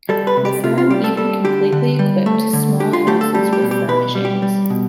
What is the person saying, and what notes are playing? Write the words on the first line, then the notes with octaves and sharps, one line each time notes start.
The firm even completely equipped small houses with furnishings.
G3 A4
B4
C3
G4
C3 F4
F4
G3 G4
A4
G3 A4
D3 G4
D3
G3
A3
D3
D3 G4
F4
A3 G4
A4
G3 G4
G4
B2
G4
B2 B4
G3
G4
G3
B2